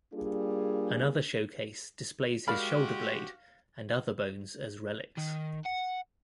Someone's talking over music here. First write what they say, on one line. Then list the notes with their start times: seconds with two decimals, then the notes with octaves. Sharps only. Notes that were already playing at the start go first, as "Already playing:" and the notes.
Another showcase displays his shoulder blade and other bones as relics.
0.14 G3 A#3 D4 F4 G#4
2.48 G#3 F#4 G4 A#4 D5 F5 B5 F6
5.18 D#3
5.65 F#5